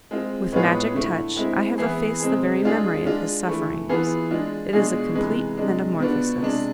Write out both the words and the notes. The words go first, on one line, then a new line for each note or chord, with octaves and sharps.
With magic touch I have effaced the very memory of his sufferings. It is a complete metamorphosis.
G#3 C4 F4
A2 G#3 B3 F4 G#4
D3 A3 E4
G#3 C4 E4
E3 B3 E4 G#4
C3 G#3 C4 G#4
G#3 D4 F4 G#4
G#3 D4 F4
E3 A3 E4
E3 B3 F4 G#4
G#3 D4 F4
B2 G#3 D4 F4 G#4
C3 E3 G#3 B3
C3 G#3 D4
B2 B3 D4 F4
C3 G#3 D4